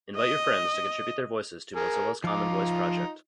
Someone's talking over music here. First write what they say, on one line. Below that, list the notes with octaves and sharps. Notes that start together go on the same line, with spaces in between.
Invite your friends to contribute their voices to Mozilla's CommonVoice project!
D#5
G#4 A#4
F3 D#4 F4 D6